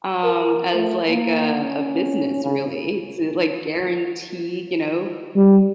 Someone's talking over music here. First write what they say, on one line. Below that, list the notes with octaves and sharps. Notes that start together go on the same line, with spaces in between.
Um, as, like, a, a business really to, like, guarantee, you know,
A#4
A3
A#3
C#4
C#3
G3